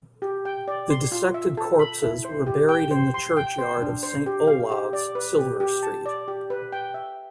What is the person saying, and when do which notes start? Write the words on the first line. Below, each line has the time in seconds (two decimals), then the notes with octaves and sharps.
The dissected corpses were buried in the churchyard of Saint Olave's, Silver Street.
0.22 G4
0.45 G5
0.68 D5
0.90 C6
1.12 F4
1.34 E5
1.57 A4
1.79 B5
2.02 E4
2.25 C5
2.47 G4
2.69 G5
2.91 C5
3.14 C6
3.37 G5
3.59 C5
3.81 D4
4.03 C5
4.26 G4
4.48 F5
4.70 G4
4.93 D5
5.15 B4
5.38 G4
5.60 G4
5.83 A5
6.06 D5
6.28 G4
6.50 B4
6.73 G5
6.94 E5